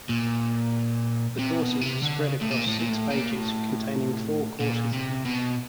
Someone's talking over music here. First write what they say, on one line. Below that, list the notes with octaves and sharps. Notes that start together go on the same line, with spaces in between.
The courses are spread across six pages, containing four courses each.
A#2
C3
B2
C3
D3
C#3
A2
A#2
A2
A#2
A2
A#2
A2
A#2
C3
B2